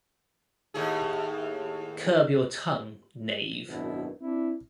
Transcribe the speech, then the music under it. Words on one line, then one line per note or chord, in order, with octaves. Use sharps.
Curb Your Tongue, Knave!
D#2 A2 G#4
G#1 F#2 B2 D4 E4
C4 D4 E4